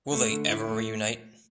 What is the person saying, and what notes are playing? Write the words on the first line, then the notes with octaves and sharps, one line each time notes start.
Will they ever reunite?
A3
D3
E4
A3